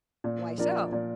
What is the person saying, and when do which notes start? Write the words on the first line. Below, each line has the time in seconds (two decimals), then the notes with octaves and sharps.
"Why so?"
0.24 A#2
0.58 F3 D4 A#4 D5
0.92 A#2